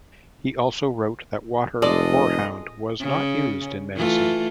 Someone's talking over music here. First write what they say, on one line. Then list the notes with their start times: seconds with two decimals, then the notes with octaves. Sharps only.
He also wrote that water horehound was not used in medicine.
1.82 F1 G#3 A4 D5 D#5
3.00 C#3
3.95 E3 A3 F4